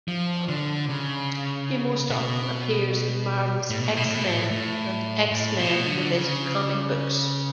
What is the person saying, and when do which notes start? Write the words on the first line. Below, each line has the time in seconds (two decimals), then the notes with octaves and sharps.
He most often appears in Marvel's "X-Men" and X-Men-related comic books.
0.08 F3
0.49 D3
0.89 C#3
2.10 B2
3.70 A2
3.79 B2
3.88 A2
3.97 B2
4.06 A2
4.15 B2
4.24 A2
4.51 A2
5.32 A2
5.59 B2
5.86 D3
6.13 C#3